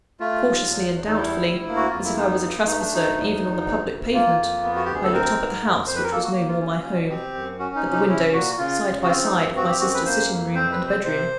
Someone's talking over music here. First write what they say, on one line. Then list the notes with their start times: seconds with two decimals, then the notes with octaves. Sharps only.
Cautiously and doubtfully, as if I was a trespasser even on the public pavement, I looked up at the house which was no more my home--at the windows, side by side, of my sister's sitting-room and bed-room.
0.20 A3 F4
0.45 D#2
0.69 E2
0.93 E2
1.07 D#4
1.18 G3 E4
1.42 D2
1.68 A#3
1.76 F#4
1.90 F2 F4
2.03 E4
2.16 B3 D#4
2.42 G2
2.66 A3 D#4
2.79 D4
2.91 D2 D#4
3.16 E2
3.41 E2
3.65 D2
3.90 D2
4.14 A#3 F4
4.39 F2
4.63 B3
4.76 F#4
4.85 D2 G4
4.94 G#4
5.04 A4
5.12 C4 A#4
5.37 G#2
5.62 F2
5.86 F2 C5
5.95 B4
6.03 A#4
6.11 A#3 A4
6.24 F#4
6.36 D#2
6.49 F4
6.61 C#4
6.85 B2
7.10 C4 G4
7.34 F#2
7.59 C#4 F#4
7.75 D#4
7.84 C3
7.92 D#4
8.08 C#4 E4
8.33 A#2 F#4
8.58 C#3 F4
8.82 C#3
9.03 F#4
9.07 C4 F4
9.24 D#4
9.31 G2
9.56 C4 F#4
9.69 G4
9.80 F#2 F#4
9.94 B4
10.05 A#3 C5
10.30 F2
10.55 C4 C5
10.71 B4
10.79 C3
10.87 C5
11.04 C3 C5